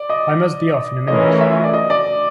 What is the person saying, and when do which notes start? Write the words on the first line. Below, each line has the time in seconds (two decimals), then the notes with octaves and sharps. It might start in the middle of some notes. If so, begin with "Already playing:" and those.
I must be off in a minute.
Already playing: D5
0.09 D#5
1.07 E3 A3 C#4 F4 A#4 D#5
1.41 E5
1.64 D5
1.73 D#5
1.90 D5